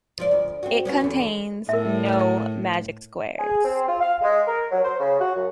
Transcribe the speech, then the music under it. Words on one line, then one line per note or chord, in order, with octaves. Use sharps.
It contains "no" magic squares.
F3 F4 D5
D2
C4 F#4
B3 C#4 F#4
E2 D3
A2 A#4 E5
G#4
C4
F4
F5
G#3
A#4
F#3
C5
C#3
F#4
F#2